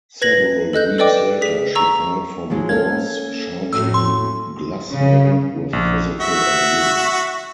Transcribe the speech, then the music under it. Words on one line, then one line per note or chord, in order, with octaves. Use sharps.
Several weeks later, she filed for divorce, charging Glusman with physical abuse.
B4 G#6 A#6 F#7
A4 D#5 F#6 G6
A4 B4 D5 D#5 G5 D6
G#4 B6
A#5 C#6 E6
F3 F#3 G#3
A#3 C#4 A4 F5 G#6
A2 F#3 A3 E6
C6
C#3
A#1
F#4 E5